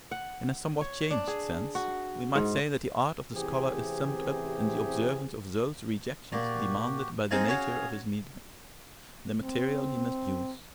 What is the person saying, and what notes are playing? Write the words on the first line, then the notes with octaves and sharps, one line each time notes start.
In a somewhat changed sense, we might say that the art of the scholar is summed up in the observance of those rejections demanded by the nature of his medium, the material he must use.
F#5
C#5
D4
G#4
F#4
G#2
A1 C3 E3 C4 G4 G#4
A#2 F#4 G4
G#3 C4 D#4 G#4 F5
C#4 F#4 C#5
C4